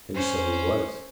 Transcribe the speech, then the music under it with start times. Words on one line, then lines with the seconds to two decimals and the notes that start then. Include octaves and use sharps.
And so he was.
0.15 C#4 C5